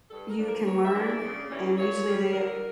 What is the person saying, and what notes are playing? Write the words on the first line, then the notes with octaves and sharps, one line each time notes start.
You can learn, and usually they
G2 A4
A#4
F3 A#3 D4
A#4
G2 C#5
E5
E3 A#3 D4
D5
C#3
E3 G3 C#4
A#2 C#5
G3 C#4
D3 A#4